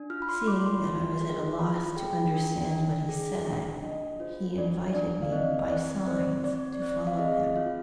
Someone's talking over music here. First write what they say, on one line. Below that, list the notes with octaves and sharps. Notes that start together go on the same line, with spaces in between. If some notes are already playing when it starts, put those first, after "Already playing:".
Seeing that I was at a loss to understand what he said, he invited me by signs to follow him.
Already playing: D4
F4 F6
B5
C6
F4 D6
C6
F4
G#4
F4 B5
G#4 G5
D4
D4
G#4
D4
D4 D#5
F4 C5
D4 D5
D4 D5
F5
C4 D#5
C4 D5
C4 C5
C4 D5
C4
F5
G#4 D#5
F4 F5